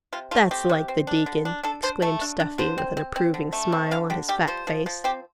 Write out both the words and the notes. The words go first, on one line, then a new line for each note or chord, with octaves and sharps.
'That's like the Deacon!' exclaimed Stuffy, with an approving smile on his fat face.
C3 F4
A3 F4
C4 G4
C3
C4
D4
D3
D4
D4 A4
D4 C5
A3 A4
D4
D4
D3 C5
C4
C4
C4
D3
A3
C4
D3 F5
D3 G4
G3 G4
F3 C5
F3
F3
C4 G4